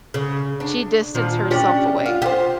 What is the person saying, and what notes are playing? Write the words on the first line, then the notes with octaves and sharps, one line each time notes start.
she distanced herself away.
C#3
D4
A#2 D#3 F3
C#4 D4 G4
F4
G4 C5